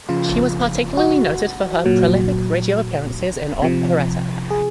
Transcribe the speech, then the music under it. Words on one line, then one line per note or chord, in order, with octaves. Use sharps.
She was particularly noted for her prolific radio appearances in operetta.
C#3 F3 F4
F#4
A#2 F#3
C3 F3
G#4